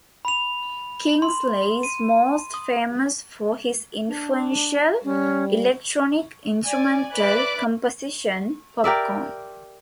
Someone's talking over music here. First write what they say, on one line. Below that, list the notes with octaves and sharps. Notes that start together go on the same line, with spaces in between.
Kingsley is most famous for his influential electronic instrumental composition "Popcorn".
B5 F7
C6
D#7
D#6
D4
G3 C#4
D5 G#5
B4 D5 E5 B5 D6 F#6
G4 A#4 D5 E5